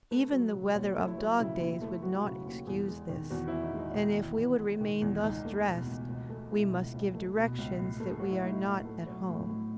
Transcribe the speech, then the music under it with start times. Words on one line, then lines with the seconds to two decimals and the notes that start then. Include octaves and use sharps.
Even the weather of dog-days would not excuse this; and if we would remain thus dressed, we must give directions that we are not at home.
0.11 A3 B4
0.32 F#3
0.54 C#3
0.75 D#2 C#5
0.96 A3
1.07 E4
1.18 F#3
1.40 C#3 E4
1.60 D#2
1.82 A3
2.03 F#3 F#4
2.24 C#3
2.46 D#2
2.67 E2 G#4
2.88 G#3
3.09 D#3
3.30 E2 F#4
3.48 E2 E4
3.63 D#4
3.74 G#3
3.80 D#4
3.94 D#3 D#4
4.17 E2
4.38 E2
4.59 G#3
4.81 D#3
5.02 E2
5.23 C#2 D#4
5.45 A3
5.66 B2
5.87 C#2
6.09 C#2
6.30 A3
6.51 B2 E4
6.72 C#2
6.93 C#2
7.15 A3
7.37 B2
7.58 C#2
7.79 A2
8.00 A3
8.08 G#4
8.20 F#3 F#4
8.31 E4
8.43 A2 D#4
8.65 A2
8.85 A3
9.06 F#3 F#4
9.29 A2
9.50 A2